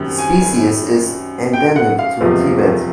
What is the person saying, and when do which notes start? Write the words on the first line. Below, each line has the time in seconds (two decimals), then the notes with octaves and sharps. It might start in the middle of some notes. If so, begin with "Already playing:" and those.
The species is endemic to Tibet.
Already playing: F#2 D#3 G3 C4
0.18 G#5
1.53 G5
1.76 F#5
1.99 F5
2.21 F#1 E2 C3 F3 G#3